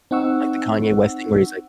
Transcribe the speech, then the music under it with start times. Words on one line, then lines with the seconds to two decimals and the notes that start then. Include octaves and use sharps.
like the Kanye West thing where he's like,
0.11 C4 D#4 F#5 C#6 E6